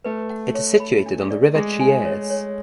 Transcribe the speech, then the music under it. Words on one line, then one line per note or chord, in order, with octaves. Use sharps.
It is situated on the river Chiese.
A3 B4
F#5
C#5
B5
D4
D5
G#3 G#4
G#5
C#5
C#5